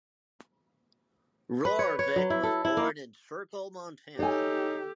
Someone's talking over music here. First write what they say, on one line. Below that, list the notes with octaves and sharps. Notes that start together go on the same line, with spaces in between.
Rorvik was born in Circle, Montana.
B4
C#5
C#5
F#3
E4
A4
E4
A#3
D#4 G4 A4 C#5 G#5